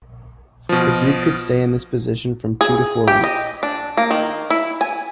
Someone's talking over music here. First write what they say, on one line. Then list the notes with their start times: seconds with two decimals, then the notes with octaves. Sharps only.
The group could stay in this position from two to four weeks.
0.69 B2 F3
2.61 G#4
3.08 G4
3.24 D#5
3.63 D4
3.98 A#3
4.11 D#3
4.50 E4
4.81 G#5